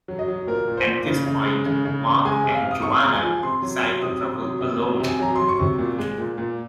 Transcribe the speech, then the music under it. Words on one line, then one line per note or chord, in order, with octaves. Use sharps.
At this point Mark and Joanna decide to travel alone.
F#3
D#5
F#3
A#2 A#4
A#2
C5
A#2
C#3
C#3
G#3
C#3
C#3
C#3
G#3 G#5
C3
F5
C3
D#6
C3 C#6
C6
G#3 A#5
G#5
F3
C3 C6
F#3
F#3
C3 D#6
C3
F#3
C3
F#3
C3
G#5
F#3 A#5
F#3 C6
C#6
C3
A#2
G#3
A#2
A#2